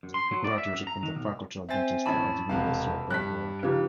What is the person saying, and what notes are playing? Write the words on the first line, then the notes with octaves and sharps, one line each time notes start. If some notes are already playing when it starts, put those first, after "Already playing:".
He graduated from the Faculty of Dentistry at the University of Belgrade.
F#2
C6
F#3
D5
E5
F#2
A#5
D#3
B1
C4 C5 E5 G#5 A6
A1 C#4 A5 B5 E6
E1 C3 B4 F5
G2 F#6 B6
C#3 F3 D#4 G4 B4